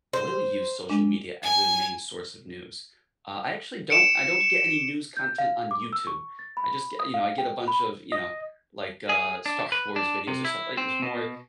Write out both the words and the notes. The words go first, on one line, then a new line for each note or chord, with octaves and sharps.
will use social media as their main source of news. Uh, I actually don't I don't get any news content on YouTube. I just g you know, I get a bunch of, you know, like, uh, Star Wars videos or stuff. Like, it's more,
C5
G#3 D4
G#5
C#7 D7 E7
G6
F5
D6
E6
C#6
A6
B5
D#6
F5
G5
B5
D#5
G#4
D4
B4
D4
C3
E4
C4
B2